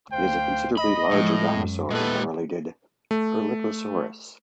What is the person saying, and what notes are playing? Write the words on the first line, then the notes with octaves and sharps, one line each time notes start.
It is a considerably larger dinosaur than the related "Erlikosaurus".
D2 C5 F5 G5
D#5 B5
A2 F3 G#3
F#2
A#2 G#3 A3 B3 A4 B4
A3